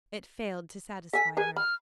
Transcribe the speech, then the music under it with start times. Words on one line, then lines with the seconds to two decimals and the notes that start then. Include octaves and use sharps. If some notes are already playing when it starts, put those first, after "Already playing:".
It failed to satisfy her.
1.13 A4 G#5 B6
1.37 G#4 A#4 B4 G#5
1.56 B5 F6